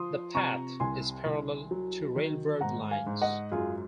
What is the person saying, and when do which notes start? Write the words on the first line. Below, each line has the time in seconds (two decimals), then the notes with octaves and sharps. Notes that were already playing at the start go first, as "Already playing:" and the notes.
The path is parallel to railroad lines.
Already playing: F3 C6 D#6
0.34 C3 A#5 C#6
0.80 C2 G#5 C6
1.25 C2
1.71 F#3
2.16 D#3
2.61 G#2 F#5 A#5
2.91 F5 G#5
3.06 G#2
3.22 D#5 F#5
3.52 F#2 F4 G#4